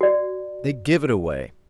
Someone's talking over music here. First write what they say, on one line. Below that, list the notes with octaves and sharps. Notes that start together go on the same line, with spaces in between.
They give it away.
F#4 D5